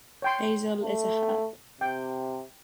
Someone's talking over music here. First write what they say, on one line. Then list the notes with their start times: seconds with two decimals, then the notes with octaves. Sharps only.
Basil is a herb.
0.22 C#5 G5 C6
0.83 A3
1.81 C3 G5